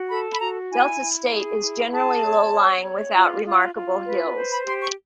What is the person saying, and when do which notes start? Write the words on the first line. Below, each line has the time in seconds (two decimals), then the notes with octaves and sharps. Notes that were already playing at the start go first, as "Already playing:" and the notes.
Delta State is generally low-lying without remarkable hills.
Already playing: F#4
0.09 A4 B5
0.32 B5
0.39 F#4 A#5
0.70 E4 G#5
1.01 E4
1.31 G#4
1.61 E4
1.91 G#4 A5
2.23 C#5
2.53 C#5
2.83 C#5
3.14 F4
3.45 F4
3.74 F4
4.05 B4
4.36 C5
4.52 B5
4.66 G4 C6
4.82 C#6